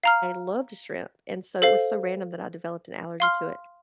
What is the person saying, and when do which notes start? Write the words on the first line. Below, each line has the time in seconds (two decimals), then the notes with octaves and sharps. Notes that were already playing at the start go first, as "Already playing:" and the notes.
I loved shrimp, and so it was so random that I developed an allergy to it,
0.04 F5 A#5 F6
1.62 A4 C5 F5
3.20 F5 C6 F6